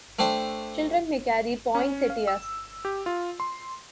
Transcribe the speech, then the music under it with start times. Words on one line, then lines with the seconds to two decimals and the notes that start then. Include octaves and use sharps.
Children may carry poinsettias.
0.19 A3 D4 C5 G5
1.75 C#4
2.10 F5
2.28 E6
2.85 G4
3.06 F4
3.40 C6